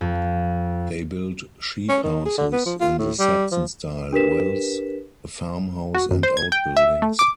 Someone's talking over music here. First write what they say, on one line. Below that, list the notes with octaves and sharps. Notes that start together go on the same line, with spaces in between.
They built sheep houses in the Saxon style, wells, a farmhouse and outbuildings.
F2
C#4
D#3
G#4
D3
B3
F3
F4
A2
G3
F3
D4 G4 A#4 B4 B6 E7
F#4
F#2
C5
G#6
G5
E5
A3
D6